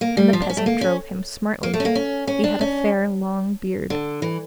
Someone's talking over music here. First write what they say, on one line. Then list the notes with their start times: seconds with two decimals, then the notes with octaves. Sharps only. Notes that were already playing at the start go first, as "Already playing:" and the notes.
And the peasant drove him smartly, he had a fair, long beard.
0.01 A#3
0.17 G3
0.33 F3
0.42 D4
0.50 C#4
0.57 A3
0.66 A#3
0.81 C#4
1.63 A#3
1.74 A3
1.80 C#4
1.85 A#3
1.95 C#4
2.27 C#4
2.44 D4
2.61 C#4
3.90 D3
4.22 E3